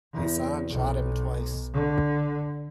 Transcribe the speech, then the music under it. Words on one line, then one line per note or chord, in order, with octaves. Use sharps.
Hassan shot him twice.
E2
B1
D3